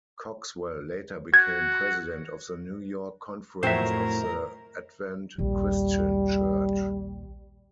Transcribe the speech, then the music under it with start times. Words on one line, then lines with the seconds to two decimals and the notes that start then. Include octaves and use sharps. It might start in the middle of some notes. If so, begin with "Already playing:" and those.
Cogswell later became president of the New York Conference of the Advent Christian Church.
1.34 F#4 G#6
3.63 F2 A2 F#3 A#4 C5 E5 G5 C7
5.38 A#1 D#2 G3